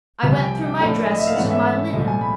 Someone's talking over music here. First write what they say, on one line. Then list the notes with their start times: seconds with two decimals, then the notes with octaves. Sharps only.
I went through my dresses, and my linen.
0.23 C2 C3 F3
0.32 G#5
0.42 G5
0.66 G5
0.80 A2 F3 A3 D4 G5
1.10 D#5
1.19 E5
1.27 F5
1.36 G#2 E3 A3 C#4 F#5
1.51 E5
1.93 C2 A#2 F3 A3 D#5
2.08 G#5
2.21 B5